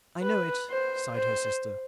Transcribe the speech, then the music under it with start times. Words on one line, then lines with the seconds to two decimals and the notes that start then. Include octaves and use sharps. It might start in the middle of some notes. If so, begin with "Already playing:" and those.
"I know it," sighed her sister.
0.22 B4
0.70 C5
1.16 C5